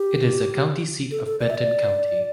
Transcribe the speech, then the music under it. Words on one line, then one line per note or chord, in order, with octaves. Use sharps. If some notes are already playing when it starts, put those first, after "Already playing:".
It is the county seat of Benton County.
Already playing: G4
A4
A4
D5
E5
D5